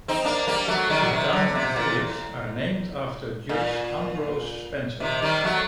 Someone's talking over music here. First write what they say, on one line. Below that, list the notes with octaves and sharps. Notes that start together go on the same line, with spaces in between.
The town and village are named after Judge Ambrose Spencer.
C4 D#4
A#3 D4
G3 A#3
F#3 A3
D#3 G3
F#3
C3 D#3
D3
C3
A#2
A2
A#2
C3 D#3
D#3 G3
F#3 A3